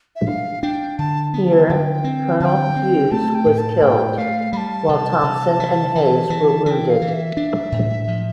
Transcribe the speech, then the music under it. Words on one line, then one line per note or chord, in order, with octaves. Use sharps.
Here Colonel Hughes was killed, while Thompson and Hays were wounded.
E5
D4 F5
D4 G5
D3 A5
B3
A5
D3 G5
C4
D3 G5 A5
C4
A3 A5
G5
A2
A5
A2 G5
A3 F5
G3 A5 B5
C3
C3
E3
E3
E3
E3 G5 A5
F5
E3
E5
D4
A2
F3